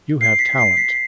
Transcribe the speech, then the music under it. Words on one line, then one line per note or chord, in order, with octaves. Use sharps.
You have talent.
C7
B6
C7
B6